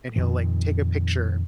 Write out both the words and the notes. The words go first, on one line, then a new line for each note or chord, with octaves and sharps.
and he'll, like, take a picture,
F2 A#2 D#3